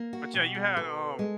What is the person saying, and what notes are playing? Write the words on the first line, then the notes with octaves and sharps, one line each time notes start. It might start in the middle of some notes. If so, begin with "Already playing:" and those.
but, yeah, you had, um
Already playing: A#3
F#4
B2 G4
G#4
B2 A4
G#3